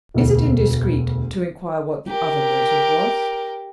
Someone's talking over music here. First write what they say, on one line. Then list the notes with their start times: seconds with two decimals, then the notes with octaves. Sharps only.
"Is it indiscreet to inquire what the other motive was?"
0.14 E1 D2
2.08 G4 A#4